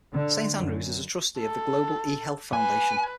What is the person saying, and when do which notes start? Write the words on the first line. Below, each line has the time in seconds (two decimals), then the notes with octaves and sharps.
Saint Andrews is a Trustee of the Global eHealth Foundation.
0.13 D3
0.57 F#2
1.40 A4
2.53 B4 G#5